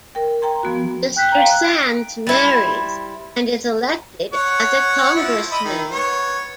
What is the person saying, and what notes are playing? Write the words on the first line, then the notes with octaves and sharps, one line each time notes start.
Mr. Sands marries and is elected as a congressman.
A#4 G5
G5 A#5 C6
F3 B3 F#4
G5 F#6 G6 B6
F5 G5 A#5
F#6
D7
G3 E4 C5
C#5 F#5
F3 E4
D#5 B5 E6
D#3
B3 C#5